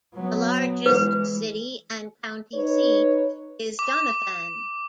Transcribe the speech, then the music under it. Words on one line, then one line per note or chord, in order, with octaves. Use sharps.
The largest city and county seat is Doniphan.
F#3 B3
E3 G#3 B4
D#4 B4 C#5
D6